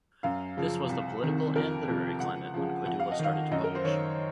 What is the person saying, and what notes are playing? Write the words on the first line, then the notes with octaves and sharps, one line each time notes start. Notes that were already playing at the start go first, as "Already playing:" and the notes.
This was the political and literary climate when Koidula started to publish.
F#2 F5
C#3 F3
C2
C3 D#3
F2 A#4
C3 F3
C#2 F#5
C#3 F3
F2 F#5
F5
D#5
D#3
F5
F#2 D#5
A#4
C5
D#3 C#5